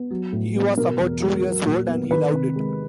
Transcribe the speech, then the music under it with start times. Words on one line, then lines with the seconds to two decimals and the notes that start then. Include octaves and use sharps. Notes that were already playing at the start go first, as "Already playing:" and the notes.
He was about two years old, and he loved it.
Already playing: B3
0.11 F#3
0.33 A2
0.56 B3
0.77 B2 A#4
1.00 E2
1.22 G#3
1.44 F#3
1.66 A#2
1.88 B3
2.11 D#3 B4
2.33 C3
2.56 G#3